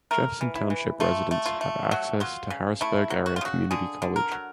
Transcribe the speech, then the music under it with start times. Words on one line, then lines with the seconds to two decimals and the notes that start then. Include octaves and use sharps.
Jefferson Township residents have access to Harrisburg Area Community College.
0.11 A3 A#4
0.41 E3
0.55 E4
0.70 E3
1.00 A3 F4
1.31 A3
1.46 F4
1.61 A3
1.91 F#3 F#4
2.20 F#3 F4
2.50 C#3
2.81 A3 E4
3.10 F#3
3.26 F#4
3.36 F4
3.41 C#3 F#4
3.71 D3 G#4
4.02 D3
4.16 A#4
4.32 F#3